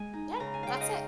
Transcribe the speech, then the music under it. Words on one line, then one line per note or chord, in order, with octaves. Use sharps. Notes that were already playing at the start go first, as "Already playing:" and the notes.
Yeah, that's it.
Already playing: G#3 G#5
D#4
C#3 A#5
G#5
C#3 F5 G5
F5
D#5